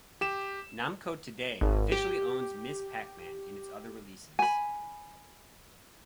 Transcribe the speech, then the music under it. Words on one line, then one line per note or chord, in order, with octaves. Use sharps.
Namco today officially owns Ms. Pac-Man in its other releases.
G4 E7
G#1
G4
G#5 B5